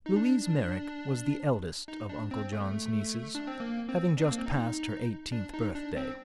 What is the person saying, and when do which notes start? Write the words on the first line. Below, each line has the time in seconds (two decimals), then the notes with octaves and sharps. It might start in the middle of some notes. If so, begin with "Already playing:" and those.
Louise Merrick was the eldest of Uncle John's nieces, having just passed her eighteenth birthday.
0.06 D#4
0.16 D4
1.88 D#4
2.09 D4
2.31 C4
2.52 A3
3.35 D4
3.47 C4
3.60 A#3
3.89 C4
4.17 D4
4.24 C4
4.31 A#3
4.39 C4
4.46 D#4
5.32 D4
5.54 D#4
5.75 D4
5.97 C4